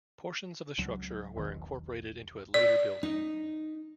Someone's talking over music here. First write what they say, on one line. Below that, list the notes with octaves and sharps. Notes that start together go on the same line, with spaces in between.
Portions of the structure were incorporated into a later building.
C#2 F#3
E1 B1 D#3
D5
D#4